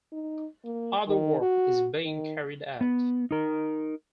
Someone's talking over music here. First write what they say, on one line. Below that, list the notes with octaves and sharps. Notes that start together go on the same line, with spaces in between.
Other work is being carried out.
D#4
A#3
D#3
F#4
D#3
B3
D#4 A#4